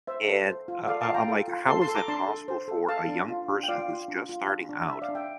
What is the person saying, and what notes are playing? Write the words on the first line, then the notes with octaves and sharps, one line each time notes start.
And I I I'm like, "How is that possible for a young person who's just starting out?"
C5 E5
A4
C5
F4
A4 D5 F5
F5 A5
F4
G5 A#5
A4
F4
A4 A5 C6
A5 C6
A4
A#5 D6
D4 A5 C6
A4
C5
A4
A4 F5 A5
D4
F4
D4
G5
F4 D5 F5
F4
D4
F4
D4
D4
D4 E5
D5 F5
D4
E5 G5